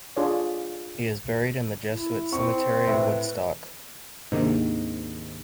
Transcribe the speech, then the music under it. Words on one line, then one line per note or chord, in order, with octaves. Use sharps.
He is buried in the Jesuit cemetery at Woodstock.
D4 F4 G#4 A4 C#5 D5
E4
C4 C#6
A2 B4
D2 G#2 C3 D#3 A#3 D4